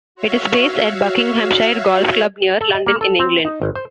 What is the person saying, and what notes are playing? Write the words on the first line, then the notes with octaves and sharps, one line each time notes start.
It is based at Buckinghamshire Golf Club near London in England.
F#4 C#5 E5 F5
A4
D#5
A#3
A4
C4
D#4
G#1
C5